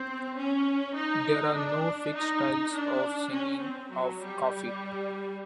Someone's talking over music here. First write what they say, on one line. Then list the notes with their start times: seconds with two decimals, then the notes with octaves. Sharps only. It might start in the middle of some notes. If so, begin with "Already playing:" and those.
There are no fixed styles of singing of Kafi.
Already playing: C4
0.38 C#4
0.96 D#4
1.54 D4
2.14 D#4
2.73 D4
3.32 C#4
3.62 C4
3.91 F#3
4.20 G3